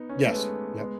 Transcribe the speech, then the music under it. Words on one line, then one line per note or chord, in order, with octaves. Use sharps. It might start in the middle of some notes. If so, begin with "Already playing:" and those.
Yes. Yep.
Already playing: B3 D#4
C#4
B3
A3
G#3 B3
G#3 B3